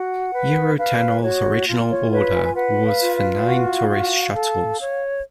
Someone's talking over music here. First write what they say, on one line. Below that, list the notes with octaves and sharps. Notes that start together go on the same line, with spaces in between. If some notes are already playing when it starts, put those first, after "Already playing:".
Eurotunnel's original order was for nine tourist shuttles.
Already playing: F#4 F#5
B4
B4 F5
F#4 C#5
F4
C#5
B4 C#5
G#5
G#5
B4 F#5
F5
F4
F5
F#4
F#4
A4
C#5